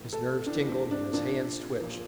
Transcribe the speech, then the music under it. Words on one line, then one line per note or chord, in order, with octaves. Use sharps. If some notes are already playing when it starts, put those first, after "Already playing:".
His nerves tingled and his hands twitched.
Already playing: A2 E3
A4
A2 E3 D4
C4
D4
A#2 F3 D4
A#2 F3